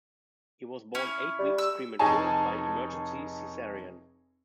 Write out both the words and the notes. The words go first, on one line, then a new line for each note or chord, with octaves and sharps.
He was born eight weeks premature by emergency Caesarean.
C#4 E4
G3
E6
F1 D#4 G#4 C#5 G#5 A5